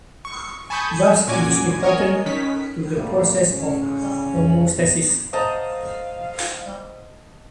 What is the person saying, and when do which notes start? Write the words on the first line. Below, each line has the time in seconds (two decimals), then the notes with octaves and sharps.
Thus, it is important to the process of hemostasis.
0.25 C#6
0.70 G#5 A5 B5 C#6 D#6 G6
1.27 A#2 C#4 F#4 G#5 D6 G#6
1.83 A#4 C#5 D#5 G#5
2.26 D#3 C#4 B6
2.97 D2 A2 C3 G3 A#3
3.50 C#3 C#4
4.36 F2
4.78 B2 D#3 B3
5.33 C5 D#5 F5 F#5 A5 A#5